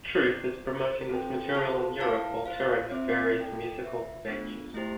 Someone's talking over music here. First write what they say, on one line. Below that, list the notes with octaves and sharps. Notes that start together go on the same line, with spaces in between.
Truth is promoting this material in Europe while touring at various musical venues.
E4 G4 D5
F4 A4 C5
C4 F4 A4 C5 G5
F4 A4 C5 F5 A5
E4 B4 F5 A5
F4 C5 F5
C4 F4 C5 E5
E4 A4 D5 G5
F4 B4 E5
B3 D4 F4
A3 E4 G4 C5